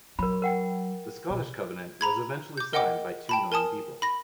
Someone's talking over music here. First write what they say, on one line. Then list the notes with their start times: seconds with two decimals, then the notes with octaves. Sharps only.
The Scottish Covenant "was eventually signed by two million people".
0.19 F#3 A#4 B5
0.42 A#4 F#5 G5
1.30 B2
2.01 A#5 B5 G#6
2.57 D6 G6
2.73 A#4 D#5 F#5 G5 D6
3.29 G5 A5 B5
3.52 A#4 G#5 A5 D#6
4.02 B5 A#6